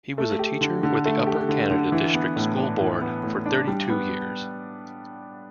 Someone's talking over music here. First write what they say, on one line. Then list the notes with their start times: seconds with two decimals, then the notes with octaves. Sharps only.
He was a teacher with the Upper Canada District School Board for thirty-two years.
0.18 A3
0.39 G4
0.61 D3
0.83 D3
1.05 A3
1.27 G4
1.49 D3
1.71 D3
1.92 E3
2.14 B3
2.36 A2
2.58 D4
2.80 E3
3.01 B3
3.23 A2
3.46 D4
3.67 G3
3.89 B3